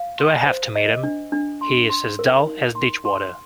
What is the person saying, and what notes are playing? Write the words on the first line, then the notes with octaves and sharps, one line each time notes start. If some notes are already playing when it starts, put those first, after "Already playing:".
Do I have to meet him? He is as dull as ditchwater.
Already playing: F5
C6
C5
D#5
D4
D4
C6
C6
A#4
D#4
C6
C6